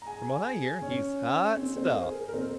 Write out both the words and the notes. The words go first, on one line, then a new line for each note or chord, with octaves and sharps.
"From what I hear, he's hot stuff!"
A#5
G#4 G#5
G#4 G#5
C#4 C#5
C4 C5
C4 C5
A#4
G#4
A#4
A#4
C4 C5